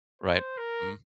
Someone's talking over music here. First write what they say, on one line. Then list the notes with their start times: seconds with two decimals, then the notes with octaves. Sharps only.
Right. Mhm.
0.22 C5
0.58 A#4